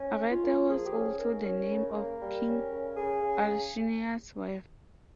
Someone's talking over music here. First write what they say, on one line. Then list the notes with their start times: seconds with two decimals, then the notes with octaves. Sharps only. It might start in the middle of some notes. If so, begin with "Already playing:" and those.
Arete was also the name of King Alcinous's wife.
Already playing: C#4
0.16 G#2
0.29 F4
0.42 A#3
0.67 F3 G#4
0.85 G4
0.92 C#4 G#4
1.18 G#2 A#4
1.43 C#4
1.69 C#3
1.94 A#3
2.20 G3
2.46 C#4
2.70 C#3
2.96 C#3 G#4
3.21 C#3